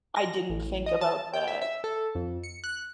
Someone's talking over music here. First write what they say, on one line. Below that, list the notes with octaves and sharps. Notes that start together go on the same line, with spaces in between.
I didn't think about that.
A#6
A1
D#5
A5
G5
E5
E5
A4
F2
C#7
F#6